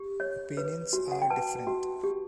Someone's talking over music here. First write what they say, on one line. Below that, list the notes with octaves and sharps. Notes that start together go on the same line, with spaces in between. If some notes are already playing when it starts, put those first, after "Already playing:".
Opinions are different.
Already playing: G4
C#5
B4
F#4
F#5
G5
B4 A5
F#4
G4